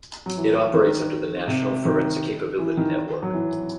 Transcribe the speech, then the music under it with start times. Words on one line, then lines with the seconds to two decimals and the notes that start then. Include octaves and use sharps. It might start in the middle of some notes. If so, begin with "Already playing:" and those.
It operates under the national Forensic Capability Network.
0.26 F#3
0.37 E3
0.74 D#3
1.48 C3
1.85 D#3
2.59 E3
2.77 D#3
3.23 F#3
3.33 E3